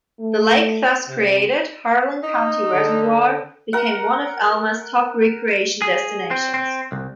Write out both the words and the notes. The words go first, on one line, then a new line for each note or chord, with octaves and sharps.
The lake thus created, Harlan County Reservoir, became one of Alma's top recreation destinations.
A3
C3
D#4
D3
A#4 F#5
G#4
C4
C4
C2